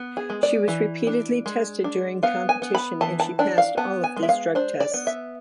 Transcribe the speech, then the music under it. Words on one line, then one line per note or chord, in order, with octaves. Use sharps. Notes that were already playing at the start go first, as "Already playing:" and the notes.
She was repeatedly tested during competition, and she passed all of these drug tests.
Already playing: B3
G#4
G#3
D5
E3
D4
G#3
D4
B3 F5
G#5
B3
B5
E3 A5
A5
D4 A5
F5
B3 A5
G#5
G#3
E5
F5
D4 C5
D5
B3
E5